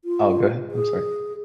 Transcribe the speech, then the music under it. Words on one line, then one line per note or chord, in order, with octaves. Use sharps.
Oh, go ahead, I'm sorry.
F4
G#4